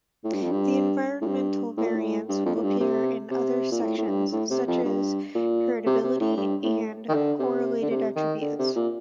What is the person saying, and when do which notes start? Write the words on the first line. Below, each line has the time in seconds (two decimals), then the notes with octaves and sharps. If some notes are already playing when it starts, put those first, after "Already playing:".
The Environmental variance will appear in other sections, such as "Heritability" and "Correlated attributes".
0.24 A2
0.33 G2
0.42 F2
0.52 G2
1.21 A2
1.26 G2
1.77 A2
1.87 A#2
1.95 A2
2.29 G2
2.45 F2
2.55 A2
2.63 G2
2.80 C3
3.31 C3
3.71 A#2
3.82 A2
3.98 A2
4.07 G2
4.32 A2
4.50 C3
4.67 F2
4.84 G2
5.35 A#2
5.86 C3
6.04 C3
6.20 A2
6.37 G2
6.63 A2
7.09 D#3
7.14 D3
7.40 C3
7.82 D3
7.91 C3
8.16 D#3
8.41 D3
8.59 C3
8.76 A#2